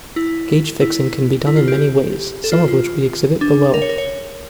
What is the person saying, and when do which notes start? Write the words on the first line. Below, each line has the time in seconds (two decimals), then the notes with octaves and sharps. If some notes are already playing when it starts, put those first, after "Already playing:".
Gauge fixing can be done in many ways, some of which we exhibit below.
0.16 E4
0.81 E4
1.47 E4
1.57 F4
1.68 G4
2.44 A4
2.52 F4
2.68 F4
3.41 D4
3.74 A#4
3.82 C#5
3.89 A#4
3.98 C#5